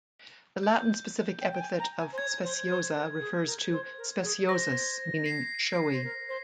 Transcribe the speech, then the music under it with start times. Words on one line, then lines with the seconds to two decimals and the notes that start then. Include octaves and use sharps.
The Latin specific epithet of "speciosa" refers to "speciosus" meaning showy.
0.63 G6
1.41 G5
1.52 G5
1.60 G#5
1.79 A#5
1.98 G#5
2.12 C5
2.18 C#5 G#6
2.44 C5
2.70 C5
2.95 A#4
3.20 G#4
3.46 A#4
3.72 C5
3.98 A#4
4.24 G#4
4.49 C5 A#6
5.26 C7
5.93 C5
6.03 A#4
6.29 C5